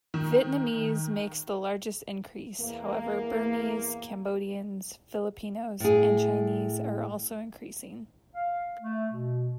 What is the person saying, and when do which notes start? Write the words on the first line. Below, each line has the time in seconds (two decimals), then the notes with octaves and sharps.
Vietnamese makes the largest increase, however Burmese, Cambodians, Filipinos and Chinese are also increasing.
0.14 D#3
2.60 E2 A#3
5.80 A2 G#4
8.35 F5
8.81 A3
9.11 B2